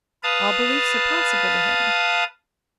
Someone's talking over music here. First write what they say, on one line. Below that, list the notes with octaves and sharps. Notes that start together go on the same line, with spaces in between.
All beliefs are possible to him.
B4 F5 A5 D#6